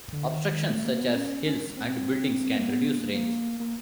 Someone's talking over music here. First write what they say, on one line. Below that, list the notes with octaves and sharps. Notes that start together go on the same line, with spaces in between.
Obstructions such as hills and buildings can reduce range.
D3
D#3
D#3
A3
A#3
B3
C#4
C#4
C4
A#3
B3
A#3
A#3
A#3